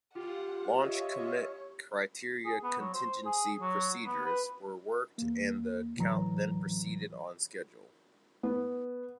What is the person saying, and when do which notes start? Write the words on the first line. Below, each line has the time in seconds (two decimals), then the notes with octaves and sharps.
Launch Commit Criteria contingency procedures were worked and the count then proceeded on schedule.
0.15 F4 G4 F#5
0.81 C#5 D#5 E5
2.46 G#4
2.63 B3
2.79 F#3
2.94 C5
3.26 G#4
3.61 F#3
4.05 B3
4.26 B4
5.18 E2 A#3
5.97 D2 A2 E3 F#3 A#5
8.43 B3